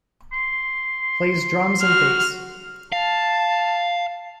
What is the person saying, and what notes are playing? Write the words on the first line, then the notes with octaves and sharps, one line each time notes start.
Plays drums and bass.
C6
F#4 F6
F5 A5